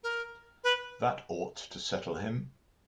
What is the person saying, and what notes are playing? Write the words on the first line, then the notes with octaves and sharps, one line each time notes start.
That ought to settle him!
A#4
B4